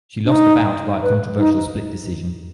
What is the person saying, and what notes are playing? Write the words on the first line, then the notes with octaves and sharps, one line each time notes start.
She lost the bout via controversial split decision.
D4
D#4
B4
D#4